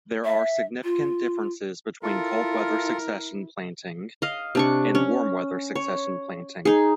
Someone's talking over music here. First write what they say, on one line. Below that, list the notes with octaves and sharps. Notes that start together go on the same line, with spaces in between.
There are significant differences between cold weather succession planting and warm weather succession planting.
E5
F4
E4 F4 A4 A#4
D#5 F5
C3 D4 C#6
C#4
C#5
D#4 G#4